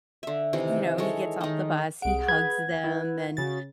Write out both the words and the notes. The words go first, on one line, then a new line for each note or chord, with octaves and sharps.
y you know, he gets off the bus, he hugs them, and,
D3 E5
C3 D#3 E3
G#3 A4 C#5
D#3 D#4
C2 G#4 F#5 D7
B4 G#6
E4 B4
C#3 F#4 A6